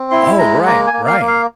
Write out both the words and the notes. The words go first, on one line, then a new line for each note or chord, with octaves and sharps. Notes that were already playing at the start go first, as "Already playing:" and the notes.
Oh, right, right.
Already playing: C4
E4 C6
G#3 A#5
A#3 A#5
G#5
A#3
F5
A#3
F5